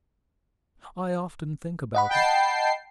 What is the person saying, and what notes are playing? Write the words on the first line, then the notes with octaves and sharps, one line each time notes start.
I often think about it.
D#5 F#5 B5
G5 A5 C7